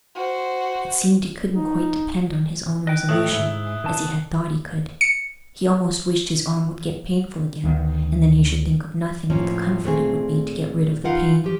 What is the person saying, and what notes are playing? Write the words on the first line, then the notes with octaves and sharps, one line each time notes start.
It seemed he couldn't quite depend on his own resolution, as he had thought he could; he almost wished his arm would get painful again, and then he should think of nothing but the comfort it would be to get rid of the pain.
F#4 C5
D#4
D#5 G5 F#6
A2 A3 D#6 F#7
G#2 E4 G7
D#3 E3 A5
C#7
D2 D#3 G3 B3
A2 F3 A#3 C#4
A#2 A3 C4 G#4
E3 D#4 F4 A#4 F5 F#5
F3 G4